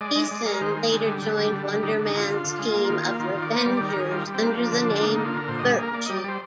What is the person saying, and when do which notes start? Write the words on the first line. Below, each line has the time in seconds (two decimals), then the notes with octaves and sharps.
Ethan later joined Wonder Man's team of Revengers under the name Virtue.
0.01 G#3 D5
0.12 G#3 D#5
0.24 D5
0.31 G#3
0.46 G#3 A#4
0.61 D#3 C5
0.77 G#3
0.92 D3
1.07 G3
1.22 D3
1.37 G3
1.52 D3
1.68 G3
1.83 D3 D#4
1.99 D3
2.05 D#4
2.14 D3 F4
2.28 D3
2.44 D3
2.59 G#3
2.74 A#3
2.90 D#3
3.05 A#3
3.20 D#3 F4
3.35 D#3
3.42 D5
3.50 A#3 C5
3.66 G3 D5
3.77 D#3 D5
3.89 A#4
3.96 D#3 G#4
4.11 G3 F4
4.27 G3
4.35 C4
4.42 A#3 D4
4.57 F3
4.72 D3
4.87 D3
4.97 F4
5.02 A#3 D#4
5.14 D3 D#4
5.26 F4
5.34 D3 A#4
5.48 A#2 C5
5.59 G3 D#5
5.71 G#4
5.79 A#3 A#4
5.93 A#3 D5
6.06 G3 D#5
6.17 D5
6.24 G3 C5